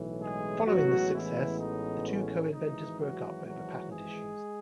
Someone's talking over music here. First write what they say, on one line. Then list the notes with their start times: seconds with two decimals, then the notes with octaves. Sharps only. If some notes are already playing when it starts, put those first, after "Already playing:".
Following this success, the two co-inventors broke up over patent issues.
Already playing: B1 A2 E3
0.20 G#3 G#4
0.66 A1 A2 F#3 G#3 B3 F#4
1.13 E3 E4
1.59 D#4
2.07 C#4
2.53 G#1 G#2 E3 D#4
3.00 F#3 F#4
3.46 F#3 F#4
3.92 G#3 G#4